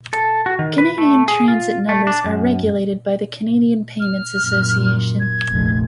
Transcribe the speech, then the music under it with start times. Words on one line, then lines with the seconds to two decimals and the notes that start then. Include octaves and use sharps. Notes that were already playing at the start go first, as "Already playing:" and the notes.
Canadian transit numbers are regulated by the Canadian Payments Association.
0.13 A4
0.46 F#4
0.59 D#3
0.78 B4
0.98 A3
1.28 G#4
1.48 F4
1.89 A3
2.07 D4
2.24 F#2
4.00 F6
4.43 F#2 A#2
5.20 G#6
5.51 F1 A#1